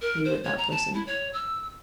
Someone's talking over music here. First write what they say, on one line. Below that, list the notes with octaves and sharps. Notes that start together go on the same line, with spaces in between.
He would not listen.
A#4
C5
C#5
A#5
A5
E4
C#5
E6